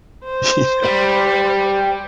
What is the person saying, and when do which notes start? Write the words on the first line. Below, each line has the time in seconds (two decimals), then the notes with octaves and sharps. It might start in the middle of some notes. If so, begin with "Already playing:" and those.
you know,
0.24 C5
0.83 G3